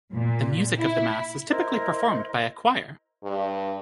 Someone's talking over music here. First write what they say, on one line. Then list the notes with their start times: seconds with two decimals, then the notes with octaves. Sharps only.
The music of the Mass is typically performed by a choir.
0.13 A#2
0.78 E4
1.48 E4 A#4 C5 D#5
3.23 G2